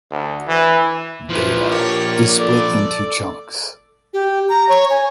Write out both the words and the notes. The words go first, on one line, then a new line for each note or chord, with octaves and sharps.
Data is split into chunks.
D2
E3
A#2 F3 E4 B4 C5
G4 A#4 C#5 D5
A4 D5
G4
A#5
C#5
G#5